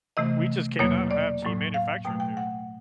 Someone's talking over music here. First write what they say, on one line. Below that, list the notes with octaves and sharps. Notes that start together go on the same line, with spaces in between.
We just cannot have cheap manufacturing here.
C3 E3 A3 D#5
E2 B2 F#3 A#3 C#5
D5
A2 F#3 A#3
F5
B2 F#3 A3 G5
G5
F#5